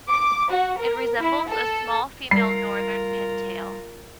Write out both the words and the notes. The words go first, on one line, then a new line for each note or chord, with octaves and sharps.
It resembles a small female northern pintail.
D6
F#4
A#4
E4
A4
G3 F4 A#4 C7